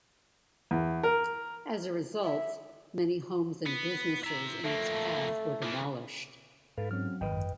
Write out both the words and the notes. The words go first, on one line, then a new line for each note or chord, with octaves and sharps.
As a result, many homes and businesses in its path were demolished.
E2
A#4
E5
B3
E5 A#5
F2 A3 A#3
E3 F3
G#2 A4 B4 F5
F#3 C4 C#4 F6
G#1 D#3 B4 D#5 G5
F#2